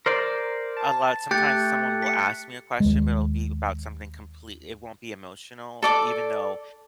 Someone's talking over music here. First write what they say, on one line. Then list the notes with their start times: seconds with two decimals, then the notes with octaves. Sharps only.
a lot sometimes someone will ask me a question, but it'll be about something complete it won't be emotional, uh, even though
0.06 A#4 C5 D5
0.77 A5
1.31 A3 G4 F#6 A6 C#7
2.02 B6 C#7
2.80 D#2 G#3
5.83 A4 D5 D6